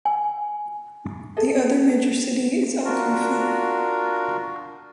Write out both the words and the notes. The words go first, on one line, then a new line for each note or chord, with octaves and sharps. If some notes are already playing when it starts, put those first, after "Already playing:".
The other major city is Al Kufah.
G#5
G#4 A4 D#5
D4 F4 F#4 A#4